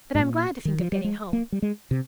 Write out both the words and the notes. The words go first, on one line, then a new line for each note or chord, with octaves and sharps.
But I'm glad to think of getting home.
G#2
A#2
D#3
F3
G3
G#3
A#3
G3
G#3
C3